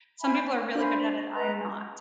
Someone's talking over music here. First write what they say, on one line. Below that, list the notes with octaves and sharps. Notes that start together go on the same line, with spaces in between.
some people are really good at it, I'm not,
C5 E5 G#5 B5
D4 C5 E5 G#5 B5
B4 D#5 F#5 A#5